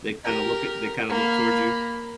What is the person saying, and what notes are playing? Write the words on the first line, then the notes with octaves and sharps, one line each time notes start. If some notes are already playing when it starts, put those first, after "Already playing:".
they kinda look at they kinda look towards you
G4 A#4
A#3 B5